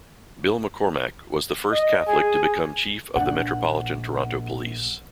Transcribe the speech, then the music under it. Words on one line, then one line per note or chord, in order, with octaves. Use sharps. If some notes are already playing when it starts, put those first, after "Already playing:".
Bill McCormack was the first Catholic to become Chief of the Metropolitan Toronto Police.
D#5
G#4
A#1 D4 F#5